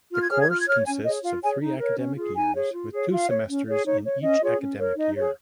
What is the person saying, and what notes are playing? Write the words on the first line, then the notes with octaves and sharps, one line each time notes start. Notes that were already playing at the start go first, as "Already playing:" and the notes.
The course consists of three academic years with two semesters in each academic year.
F4 F6
G#6
G#4 C#5 F6
G#6
F4 F6
G#6
C#5 F6
C#4 G#5
G#4 C#5 D#5
F4 F5
G#4 C#5 G#5
D#4
A#4 C#5
C#4
F4 G#4
D#4 G#5
G#4 C#5
F4
G#4 C#5
F4 F5
C#5
C#4
G#4 C#5
D#4 C#5
C#5
C#4 D#5
F4 G#4 C#5
C#4
A#4 C#5
D#4 D#5
G#4 C#5